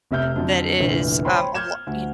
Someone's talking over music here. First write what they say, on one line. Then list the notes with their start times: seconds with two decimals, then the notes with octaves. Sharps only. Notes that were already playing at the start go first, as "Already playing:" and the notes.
that is, um, a lo y kn
0.11 F1 C3 E5 F6 G6
0.36 F2 D3 F#3
0.79 F1 A#1 D3 E3
1.25 C5 C#5 G5 B5 C6
1.55 F6 G6 G#6 E7
1.87 D2